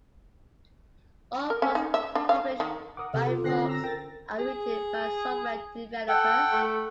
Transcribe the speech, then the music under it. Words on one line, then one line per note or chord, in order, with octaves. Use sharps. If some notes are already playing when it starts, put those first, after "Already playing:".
All books published by Wrox are written by software developers.
A#4
C#4
D#4
E5
D4
F5
D#3
A#4 F#5 D6 D#6
C3 A4
F4
D3 C4 C#4 F#6 A#6 C7
A#5 E6 A#6
A#4 G5 A6 A#6
G#4
A4 F#5 G5
A3